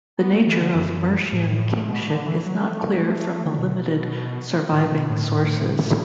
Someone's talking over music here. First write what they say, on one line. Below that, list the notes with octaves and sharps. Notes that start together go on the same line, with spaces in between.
The nature of Mercian kingship is not clear from the limited surviving sources.
B3
A3
E3
D3
F#2
A2
B2
D3
E3
F#3
A3
A3
F#3
A3
A3
A3
D3
B2
A2
B2
A2
A2
A2